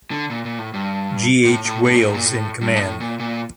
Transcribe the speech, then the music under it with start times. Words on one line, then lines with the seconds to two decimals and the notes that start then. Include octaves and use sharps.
G. H. Wales in command.
0.11 D3
0.30 A#2
0.45 A#2
0.58 A2
0.74 G2
1.45 A2
1.65 A2
1.85 A2
1.94 A#2
2.04 A2
2.14 A#2
2.24 A2
2.61 G2
2.76 A#2
2.81 A2
3.00 A#2
3.20 A#2